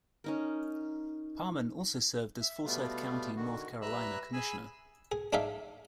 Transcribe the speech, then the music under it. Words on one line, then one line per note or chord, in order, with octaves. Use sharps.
Parmon also served as Forsyth County, North Carolina commissioner.
C#4 D#4 A#4
E5
B2 G3 A3 B3 F4
D3 D#3 F#4
G3 B4 E5 A#5 E6 F#6
G#4 G#5 B5 E6
G#4
D4 D#4 G#4 E5 F5